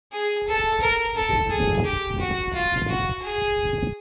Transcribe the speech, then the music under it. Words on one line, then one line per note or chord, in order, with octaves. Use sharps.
I gave it to Jeeves to give it to you.
G#4
A4
A#4
A4
G#4
G4
F#4
F4
F#4
G#4